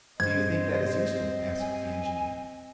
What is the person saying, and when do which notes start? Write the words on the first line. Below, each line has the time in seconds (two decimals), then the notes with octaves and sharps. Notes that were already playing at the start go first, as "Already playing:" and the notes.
"Do you think that is useful?" asked the engineer.
0.20 G2 C4 C5 D#5 G#6
1.60 G#5